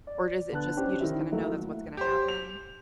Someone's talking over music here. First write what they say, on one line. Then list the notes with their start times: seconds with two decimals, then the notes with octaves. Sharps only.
Or does it just you just kinda know that's what's gonna happen?
0.07 D5
0.52 D3 B3 A5 F#6
0.77 C#4 D4 G4 C5
1.00 D#3 E4
1.32 F#3 A3 A#3 E4 A4
1.97 G4 C5
2.28 F7